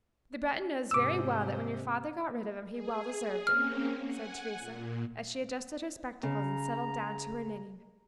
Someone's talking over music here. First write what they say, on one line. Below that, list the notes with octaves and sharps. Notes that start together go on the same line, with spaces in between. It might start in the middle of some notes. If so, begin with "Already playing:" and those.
"The Breton knows very well that when your father got rid of him he well deserved it," said Teresa, as she adjusted her spectacles and settled down to her knitting.
G#2 C3 D6 E6
G#4
A#3 C4 C#4 F6
F#5 G#5
A#2
C#3 A#5